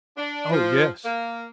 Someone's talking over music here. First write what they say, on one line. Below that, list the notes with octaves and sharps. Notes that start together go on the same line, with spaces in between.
"Oh yes!"
D4
F3
A#3